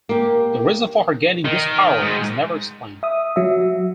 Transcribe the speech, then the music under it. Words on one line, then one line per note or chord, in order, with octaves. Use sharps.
The reason for her gaining this power is never explained.
A#3 G4
D#3
G#2
E5 D#6
F#3 E5